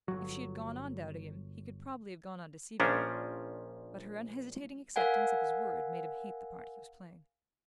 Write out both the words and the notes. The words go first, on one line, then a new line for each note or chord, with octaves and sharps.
If she had gone on doubting him he could probably have gone on deceiving her; but her unhesitating acceptance of his word made him hate the part he was playing.
G1 F#3
A#1 A#2 F3 C#4 D4 A#5
A#4 F5 F#5 G#5